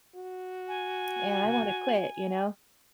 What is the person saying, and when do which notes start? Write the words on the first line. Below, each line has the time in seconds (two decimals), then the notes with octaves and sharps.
and I wanna quit, you know?"
0.16 F#4
0.68 G#5